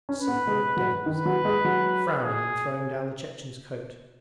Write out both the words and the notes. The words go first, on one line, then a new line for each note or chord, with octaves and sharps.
'See, what a devil!' said he, frowning and throwing down the Chechen's coat.
C#4
B4
B3
G#3
F#3
D#3 B4
F#3
G#3
F#3
G#4